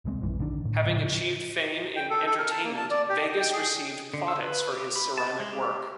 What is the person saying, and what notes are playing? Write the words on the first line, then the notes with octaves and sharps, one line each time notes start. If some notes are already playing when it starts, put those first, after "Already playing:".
Having achieved fame in entertainment, Vegas received plaudits for his ceramic work.
D#1 C2 G#3 C4
A#1 F#2 E3
A#1 D3 D#3 D4
A2
A2 C#3 F3
G5
A4
A4
A#4
A5
A#3
A5
D5
G4
D#5
G5
G#4
D3
E6
B4
G4
B5
A5
G#3
G4